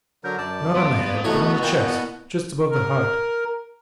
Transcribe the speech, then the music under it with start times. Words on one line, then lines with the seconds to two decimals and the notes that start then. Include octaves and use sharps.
Not on the head but on the chest, just above the heart.
0.24 D3 F#3 A#4 G6
0.38 F#2 D5 A5
0.75 B3 F5 C6 D7
1.12 F2 A#3
1.24 A1 B2 A3 E4 F#4 C#5 D#5
1.63 A#2 G5
2.71 A#4